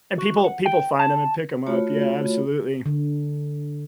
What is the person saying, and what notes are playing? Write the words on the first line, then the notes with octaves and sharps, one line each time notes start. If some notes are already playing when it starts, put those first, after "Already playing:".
and people people find 'em and pick 'em up, yeah, absolutely.
F#4
F#5
G5
A5
A3 F4 F#4 C#5 B5
D3